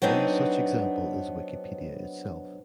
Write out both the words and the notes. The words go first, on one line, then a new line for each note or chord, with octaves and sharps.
One such example is Wikipedia itself.
F#3 B3 C4 D4 D#4